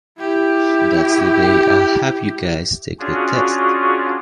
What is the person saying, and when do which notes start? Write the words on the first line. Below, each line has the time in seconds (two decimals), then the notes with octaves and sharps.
That's the day I'll have you guys take the test.
0.19 E4 G4
2.99 C#4 D4 F4 F#4 G#4